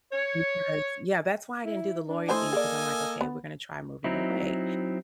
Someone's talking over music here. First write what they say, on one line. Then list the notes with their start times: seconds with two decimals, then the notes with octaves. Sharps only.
because yeah, that's why I didn't do the lawyer thing because I'm like, "Okay, we're gonna try moving away."
0.12 C#5
1.65 E4
2.08 D4
2.29 E3 A3 A4 C5 D#5 G#5
2.53 A#3 G#4 D5
3.21 B3
4.04 F#3 C4 D#4 E4